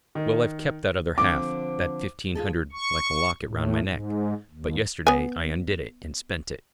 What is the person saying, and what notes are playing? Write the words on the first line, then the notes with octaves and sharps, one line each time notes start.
Well, I've kept that other half, that fifteen hundred, like a locket round my neck, but yesterday I undid it, and spent it.
D#3
D3 F3 C4 D6
F4 G#4 A4
C#6
A2
G#2
D#2
B3 G#5